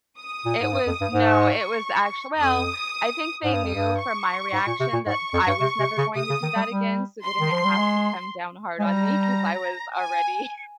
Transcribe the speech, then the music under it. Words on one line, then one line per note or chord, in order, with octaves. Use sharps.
it was no, it was actual well, I think they knew from my reaction that I was never going to do that again, so they didn't have to come down hard on me 'cause I was already.
D#6
A#2
G#2
G2
F2
G2
G#2
C#6
F2 D#6
G#2 D#6
G2
F2
G2
C#6
G#2
A#2
C3
A#2
G#2 C#6
F2
G2
C3
C3
C#3
C3 D#6
C#3
D#3
G3
G3
C6
D#3
F3
G3
G#3
G#3
G3 A#5
G#5